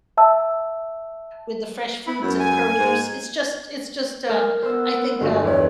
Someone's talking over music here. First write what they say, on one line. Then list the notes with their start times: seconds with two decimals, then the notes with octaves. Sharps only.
with the fresh fruits and produce, it's just it's just, um, I think, uh,
0.17 E5 A5 E6
2.07 E4
2.22 F#2
2.39 G#5
2.79 G#2
4.29 A#4
4.62 B3 C5 E6
5.20 G1 F#4
5.44 E2 C#5